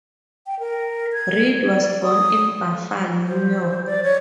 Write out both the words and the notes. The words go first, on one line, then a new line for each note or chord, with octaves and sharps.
Read was born in Buffalo, New York.
G5
A#4
G#6
D5
D#6
C5
D5
C#5